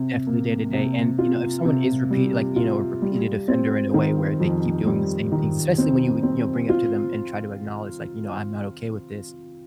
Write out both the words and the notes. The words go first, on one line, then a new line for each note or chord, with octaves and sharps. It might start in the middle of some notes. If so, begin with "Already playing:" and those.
definitely day to day, and, you know, if someone is repeat like, you know, a repeated offender in a way where they keep doing the same things, especially when you you know, bring up to them, and try to acknowledge, like, "You know, I'm not okay with this,"
Already playing: C3
A#3
C3
F4
C3
G3
F4
G3
C4
D#3
F2
G3
D#3
C4
C4
F4